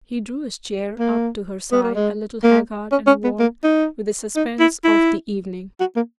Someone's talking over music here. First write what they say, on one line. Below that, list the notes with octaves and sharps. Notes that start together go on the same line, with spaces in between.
He drew his chair up to her side, a little haggard and worn with the suspense of the evening.
A#3
B3
A#3
G#3
A#3
C#4
C#4
B3
A#3
D#4
D#4
E4
E4
F#4
A#3